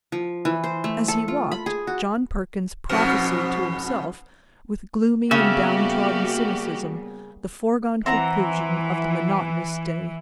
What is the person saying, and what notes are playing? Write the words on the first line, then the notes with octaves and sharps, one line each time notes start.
As he walked John Perkins prophesied to himself with gloomy and downtrodden cynicism the foregone conclusions of the monotonous day.
F3
E3
C5
A3
A4
F4
B5
G#4
F#4
F2 G#2 B2
C#3 G3 A#3 B3 F#4 G4 E5 F5
E3 C4 F#5 A#5